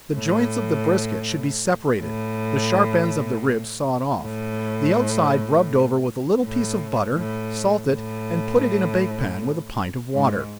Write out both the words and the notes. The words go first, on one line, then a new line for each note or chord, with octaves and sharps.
The joints of the brisket should be separated, the sharp ends of the ribs sawed off, the outside rubbed over with a little piece of butter--salt it, and put it in a bake pan, with a pint of water.
A2
A2
A2
A2
A2
A2
G#2